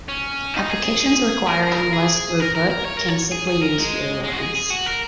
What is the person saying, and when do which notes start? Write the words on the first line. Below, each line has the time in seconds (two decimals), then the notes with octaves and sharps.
Applications requiring less throughput can simply use fewer lines.
0.08 C#4
0.54 D#4
0.69 G#4
0.85 G#4
1.01 G#4
1.46 A#4
1.63 A#4
1.77 A#4
1.93 G#4
2.40 A#4
2.55 A#4
2.70 A#4
2.85 C#5
2.97 A#4
3.08 C#5
3.32 G#4
3.47 G#4
3.62 A#4
3.78 G#3
4.24 G#3
4.32 F#4
4.39 G#4
4.55 G#4
4.70 F#4
4.86 A#4